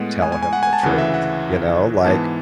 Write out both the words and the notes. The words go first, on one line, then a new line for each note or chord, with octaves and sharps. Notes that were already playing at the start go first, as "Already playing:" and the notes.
tell him the truth?" You know, like,
Already playing: A2 G#3 B3 F#5
G#5
G#5
G#5
F#5
G#5
A5
D2 C#3 E3 F#5
E5
F#5
G#2 E3 B3 A5